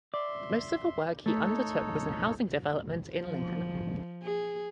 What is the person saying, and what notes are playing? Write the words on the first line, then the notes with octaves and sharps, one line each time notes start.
Most of the work he undertook was in housing development in Lincoln.
D5 E5 C6
A3 D#4 A4 C#5
F3
G#4